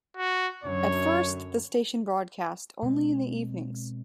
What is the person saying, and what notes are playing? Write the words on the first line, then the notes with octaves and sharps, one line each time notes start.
At first, the station broadcast only in the evenings.
F#4
F#2 D3 F#3 C#5
B2 G#3 C4